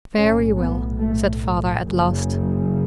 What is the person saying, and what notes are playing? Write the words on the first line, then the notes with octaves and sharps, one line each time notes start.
"Very well," said Father, at last.
B1 A2 C#4
B3
A3
F#1 F#2 C#3